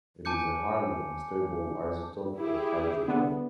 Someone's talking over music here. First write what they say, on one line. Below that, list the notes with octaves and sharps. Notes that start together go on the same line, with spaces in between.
It is a highly unstable isotope of hydrogen.
G#5 A5 D6 G6 C#7
E4 G4 G#4
D3 B3